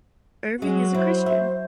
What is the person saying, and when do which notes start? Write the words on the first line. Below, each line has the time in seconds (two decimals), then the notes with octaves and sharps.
Erving is a Christian.
0.62 F#3 G#3
0.94 E4 C5
1.26 E5